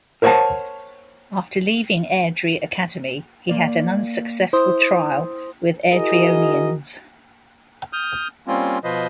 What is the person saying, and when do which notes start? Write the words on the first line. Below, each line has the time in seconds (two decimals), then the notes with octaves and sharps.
After leaving Airdrie Academy he had an unsuccessful trial with Airdrieonians.
0.22 A#4 C5 C#5 D#5 F#5 A5
3.49 A#3 D5
4.53 E4 C5 C6 D#6
5.92 E4 F#4 G#4 A#4 D#5
7.93 D#6 F6 G6
8.48 G3 A#3 C4 C#4 F4
8.84 B2 F3 F4 B4 C5 D#5